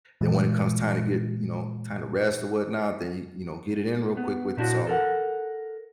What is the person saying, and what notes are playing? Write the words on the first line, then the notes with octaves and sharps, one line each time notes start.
then when it comes time to get, you know, time to rest or whatnot, then you you know, get it in real quick with some
A#2 E3 G#3
B3
A#2 D4 E4 F#4 C#5
A4 A#4 F#5